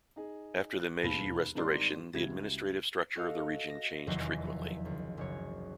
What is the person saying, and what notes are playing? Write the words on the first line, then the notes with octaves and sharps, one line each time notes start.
After the Meiji Restoration the administrative structure of the region changed frequently.
D#4 G#4
F#6
E1 D#2 B5 F7
G#1 D#3 G3 A#4 D5 C6
C#2 G3 E4 F#4 G#6
F#4 A4 D#5 F5
A#6
F1 E2 D#3 F#3 A#6 C7
C#2 D#3
F#1 C#5